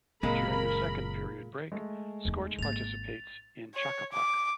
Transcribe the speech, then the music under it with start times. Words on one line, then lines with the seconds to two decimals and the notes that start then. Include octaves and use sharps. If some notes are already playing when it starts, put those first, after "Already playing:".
During the second period break, scorch participates in chuck a puck.
0.23 F#1 A#2 G#3 C4 A#4 B5
1.72 G#3 A3
2.25 E2 D#4
2.59 G#1 A#3 A6 F7
3.75 C#5
4.12 D6